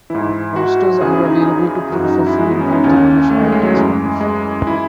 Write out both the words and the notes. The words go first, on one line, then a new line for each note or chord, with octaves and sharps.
Posters are available to print for free in both English and Spanish.
G#2 E3 E4
F#4
E2 C#3 E3 G#4
E4
D#4
D#4
D#4
F#2 E3 F#4
D#4
D#4
E4
G#3
B3
C#4
D#4
D#2 C#3 E3 C#4
A3
G#3
G#3
F#3
F#2 E3 G#3
G#3
E3 E4